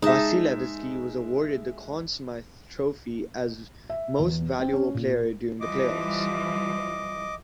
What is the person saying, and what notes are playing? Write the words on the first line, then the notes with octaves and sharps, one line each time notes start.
Vasilevskiy was awarded the Conn Smythe Trophy as most valuable player during the playoffs.
G#3 D#4 E5 A5
E5
E2
C4
C#4
A#2
E3 F3 G3 D#5 D6